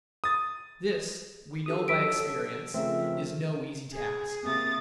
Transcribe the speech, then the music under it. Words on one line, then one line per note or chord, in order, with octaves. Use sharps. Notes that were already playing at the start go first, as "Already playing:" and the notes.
This, we know by experience, is no easy task.
D#6 A6
D4 G4 A4 A#4 D#6
F#3 E6 B6 D7
C#3 F3 A3 C4 A#4 E5
G#4
C3 A#3 D#6 A6